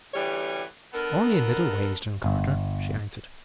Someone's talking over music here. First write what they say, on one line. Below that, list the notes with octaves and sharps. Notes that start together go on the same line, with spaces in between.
"Only in little ways, John Carter," she answered.
D2 E3 G3 C#4 G4 C#5
B3 D4 A4 A#4
G1